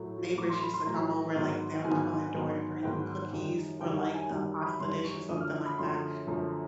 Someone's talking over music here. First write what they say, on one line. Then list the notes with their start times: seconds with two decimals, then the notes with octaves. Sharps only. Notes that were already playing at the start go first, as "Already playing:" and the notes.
neighbors used to come over, like, they'll knock on their door and bring them cookies or like a pasta dish or something like that.
Already playing: A2 F#3 A3
0.37 A2 F#3 A3 D6
0.49 C6
0.62 B5
0.73 C6
0.86 A2 F#3 A3 A#5
1.36 G#2 D#3 F#3 B3
1.84 G#2 D#3 F#3 B3 G#5
2.34 G#2 D#3 F#3 B3
2.83 G#2 D#3 F#3 B3 G5
3.33 F#2 D#3 G3
3.81 F#2 D#3 G3 G5
3.97 F#5
4.14 G#5
4.30 F#2 D#3 G3
4.63 B5
4.80 F#2 D#3 G3 C6
5.04 C#6
5.28 F#2 D3 F3 A3 D#6
5.40 F6
5.65 B5
5.78 F#2 D3 F3 A3 C6
6.27 F#2 D3 F3 A3